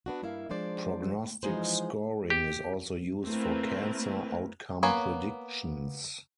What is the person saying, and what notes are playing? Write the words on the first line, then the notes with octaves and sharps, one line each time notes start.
Prognostic scoring is also used for cancer outcome predictions.
B3 D4 F#4
G2 A#3 E4 E5 F5
F3 G#3 D4 C5 D5
E3 F3 G#3 D#4 G#4 C5
G4
A3 A#3 C4 E4 A#4 B4
A#3 B3 C#5 G#5